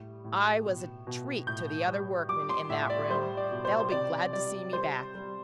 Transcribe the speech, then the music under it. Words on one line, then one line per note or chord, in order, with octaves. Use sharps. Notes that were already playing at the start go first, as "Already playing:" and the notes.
I was a treat to the other workmen in that room; they'll be glad to see me back.
Already playing: A2 G3
A2
B2
B2
A2 G6
G3
G3 D6
C6
A2 E5
D5
G3 C5
D5
B2
C5
C5
C3 D5
G3 D5
G3 C5
G3